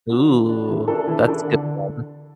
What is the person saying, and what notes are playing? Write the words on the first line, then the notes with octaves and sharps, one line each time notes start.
Ooh, that's good one.
D4 F#4
E3
D4 F#4
E3
D4 A4
E3
D4 A4
D3